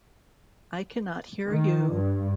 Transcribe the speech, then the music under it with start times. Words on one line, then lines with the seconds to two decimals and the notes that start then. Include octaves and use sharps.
I cannot hear you!
1.48 D#3
1.93 G2